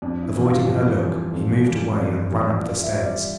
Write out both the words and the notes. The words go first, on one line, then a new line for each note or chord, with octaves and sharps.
Avoiding her look, he moved away and ran up the stairs.
F2 D4
E4
E3 G3
F4
F2 G4
E3 G3
F2 A4
E3 G3
F2 D5
E3 G3
A#2 D5
E5
G3
D5